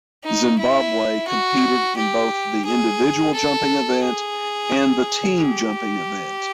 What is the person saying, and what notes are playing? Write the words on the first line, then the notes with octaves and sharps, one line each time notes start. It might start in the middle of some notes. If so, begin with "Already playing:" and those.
Zimbabwe competed in both the individual jumping event and the team jumping event.
D#4
E4
F#4
G4
G#4
A4
G#4
G4